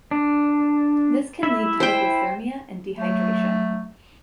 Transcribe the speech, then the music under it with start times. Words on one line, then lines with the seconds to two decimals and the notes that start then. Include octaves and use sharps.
This can lead to hypothermia and dehydration.
0.11 D4
1.43 E4 E5
1.80 C5 G5
2.98 F#3 A3